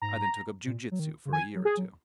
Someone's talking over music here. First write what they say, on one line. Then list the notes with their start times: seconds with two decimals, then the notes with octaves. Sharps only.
I then took up jiu-jitsu for a year or two.
0.02 G#2 A#5
0.66 A#2
0.91 F#3
0.99 D#3
1.25 C#3
1.32 D#3 G#5
1.55 F#3
1.65 G#4
1.77 F#3